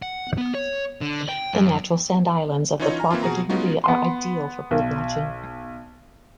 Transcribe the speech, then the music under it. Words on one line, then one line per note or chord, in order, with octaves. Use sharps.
The natural sand islands of the Place du marais are ideal for bird watching.
F#5
B3
C#5
D3
G5
F#2
E3 C#4 D#4 F4 C#5 D#5
G#5 A#5 F6
E3 A#3 C4 E4 F4
B2 F#4 G#4 A#5
G#3 B3 C#4 D#4 F4 F#4
B3 C6
B1